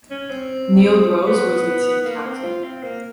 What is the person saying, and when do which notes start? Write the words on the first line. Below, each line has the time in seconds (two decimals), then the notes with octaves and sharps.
Neil Rose was the team captain.
0.11 C#4
0.30 C4
1.27 B3
2.05 A#3
2.25 C4
2.44 F4
2.64 C4
2.83 A#3